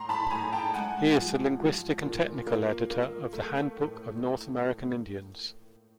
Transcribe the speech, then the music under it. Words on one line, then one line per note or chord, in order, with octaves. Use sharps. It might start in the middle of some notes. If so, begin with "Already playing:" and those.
He is the linguistic and technical editor of the "Handbook of North American Indians".
Already playing: A2 A#5 C6
A5 B5
A2 G#5 A#5
G5 A5
G#2 F#5 G#5
F3
F3
A#2
A#3
A#3
A3
A2